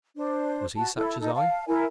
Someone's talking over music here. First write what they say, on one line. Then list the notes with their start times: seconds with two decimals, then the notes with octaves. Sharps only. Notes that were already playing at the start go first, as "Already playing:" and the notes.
Was he such as I?
0.16 D4 C5
0.77 F#4 A5
0.96 E4 A4
1.20 D#4 A4
1.35 F5 A5
1.68 E4 A#4 G#5